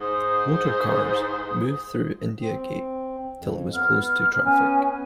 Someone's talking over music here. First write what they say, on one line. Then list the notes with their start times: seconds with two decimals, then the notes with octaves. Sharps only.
Motor cars, moved through India Gate, till it was closed to traffic.
0.01 G#2 C5 D#6
2.41 C4
3.39 F2
3.74 B3 F6
4.45 B3 C#4 G#5